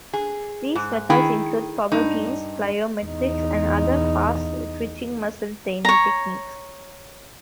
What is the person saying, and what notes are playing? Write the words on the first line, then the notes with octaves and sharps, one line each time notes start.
These methods include power cleans, plyometrics, and other fast twitching muscle training techniques.
G#4
G#2
D#3 E4 G#4 G5
G2 D#4
E2 D#4
C#5 A#5